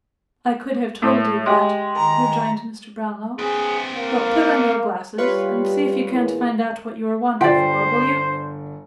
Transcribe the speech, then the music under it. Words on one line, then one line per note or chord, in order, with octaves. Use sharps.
'I could have told you that,' rejoined Mr. Brownlow; 'but put on your glasses, and see if you can't find out what you were wanted for, will you?'
A2
G#3 G4
D#3 A#5
C4 G#4 B4
A#3
G3 F4 B4 C#5
E2 A#2 E3
G1 G3 D4 F4 C5 D5 G5